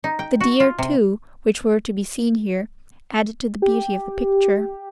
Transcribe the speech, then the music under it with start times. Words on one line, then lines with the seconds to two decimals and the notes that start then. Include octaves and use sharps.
The deer, too, which were to be seen here, added to the beauty of the picture.
0.04 D#4
0.19 G5
0.40 F#4
0.60 F4
0.78 C3
3.62 G4